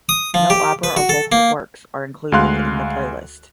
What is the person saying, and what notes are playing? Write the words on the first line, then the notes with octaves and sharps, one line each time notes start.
No opera or vocal works are included in the playlist.
D#6
F3
G4
B4
F#4
A4
A#3
D2 G#3 F5 C6 F#6